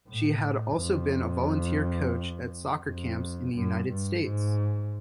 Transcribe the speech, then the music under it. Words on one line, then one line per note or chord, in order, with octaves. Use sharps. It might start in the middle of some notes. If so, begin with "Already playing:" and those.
She had also been a volunteer coach at soccer camps in the United States.
A2
F2
F2
F#2
G2
G#2